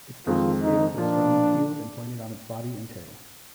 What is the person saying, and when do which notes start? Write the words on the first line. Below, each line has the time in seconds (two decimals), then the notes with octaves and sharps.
Its dorsal scales are strongly keeled and pointed on its body and tail.
0.27 F2 D#3 G#3 C4 F4
0.62 D#4
0.97 A#2 F3 A#3 D4 F4